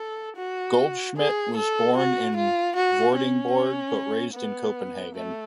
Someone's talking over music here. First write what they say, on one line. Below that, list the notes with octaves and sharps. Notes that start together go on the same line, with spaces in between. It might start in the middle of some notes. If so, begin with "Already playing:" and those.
Goldschmidt was born in Vordingborg but raised in Copenhagen.
Already playing: A4
F#4
G#4
A4
F#4
F4
F#4
C#4
B3
A3